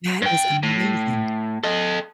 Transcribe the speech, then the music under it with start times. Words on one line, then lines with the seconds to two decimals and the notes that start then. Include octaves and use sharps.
That is amazing.
0.22 G2 G5
0.63 A2
1.64 A4 D#5